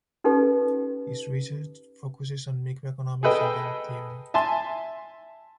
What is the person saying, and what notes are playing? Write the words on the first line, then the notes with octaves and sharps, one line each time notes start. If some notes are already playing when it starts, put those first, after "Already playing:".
His research focuses on microeconomics and game theory.
C#4 D#4 G4 A4 B4
G#4 A4 B4 D#5 G5
E5 G#5 A5 C6